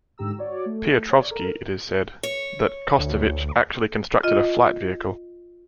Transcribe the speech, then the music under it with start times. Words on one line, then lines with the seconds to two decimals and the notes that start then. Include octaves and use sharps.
Piotrovski it is said, that Kostović actually constructed a flight vehicle.
0.18 G#2 D3 G4 A#5 E6
0.37 F#4 C#5 D5
0.66 A3
1.10 C#5 D5
1.31 A4 A#4
2.23 C#5
2.98 D2
4.23 F4 D#5